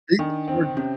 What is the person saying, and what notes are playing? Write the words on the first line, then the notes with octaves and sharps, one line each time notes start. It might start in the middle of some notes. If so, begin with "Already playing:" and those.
Beat the coordinates.
D#3 D4
C4
C3 C#4